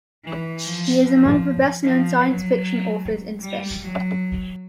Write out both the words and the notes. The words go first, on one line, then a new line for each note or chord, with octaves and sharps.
He is among the best-known science fiction authors in Spain.
E3
F3
F3
F3
F#3
G3
F#3